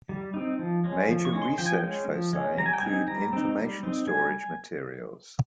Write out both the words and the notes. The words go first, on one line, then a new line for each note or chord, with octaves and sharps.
Major research foci include information storage materials.
G3
C4 D#4
F3
G#3 C#4
F3
C#6
G#3 C#4
C6
F3 G5
G#5
G5
G#3 C#4
F3
G#3 C#4
G3 A#5
G#5
G5
C4 D#4 G#5
G3 A#5
C4 D#4
G3
C4 D#4
G3 G#5